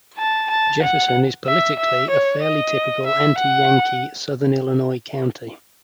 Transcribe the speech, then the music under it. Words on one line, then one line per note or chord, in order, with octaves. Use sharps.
Jefferson is politically a fairly typical "anti-Yankee" Southern Illinois county.
A5
A5
F#5
E5
E5
C#5
D#5
E5
F#5